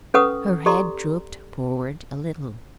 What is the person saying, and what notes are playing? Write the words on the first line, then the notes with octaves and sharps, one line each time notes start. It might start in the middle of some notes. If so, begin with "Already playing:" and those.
Her head drooped forward a little.
C#4 A4 B4 F#5 C#6 D#6
G4 A4 D5 A#5 C6